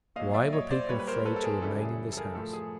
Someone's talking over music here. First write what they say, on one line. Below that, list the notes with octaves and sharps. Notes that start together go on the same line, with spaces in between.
Why were people afraid to remain in this house?
A#2 F#3 D#5 F5
D5 E5
C#5 D#5
C5 D5
A#2 G3 B4 C#5
B4
A#4 C5
A4 B4
A4
G#4 A#4
F#2 C#3 E3 G3 A4
G#4
A4
G#4 A#4
A2 F3 A4
G#4